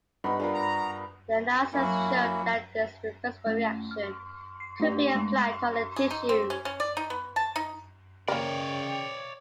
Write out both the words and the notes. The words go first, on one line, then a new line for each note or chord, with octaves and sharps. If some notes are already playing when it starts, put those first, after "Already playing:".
Their analysis showed that this reversible reaction could be applied to other tissues.
G2 B3 D#4 F#5 B5
D4 F4 A#4 G#5
A#5
F#3 A#3 C#4 E4 F#4
A3 C#4
F6
C7
A3 D4 G4 B4 D5 G5
G#3 A3
G#4
D#4
C4
C#4
C#4
D5
D#4
B3
A5
D#4
C#3 A#3 A#4 C#5 D5 G5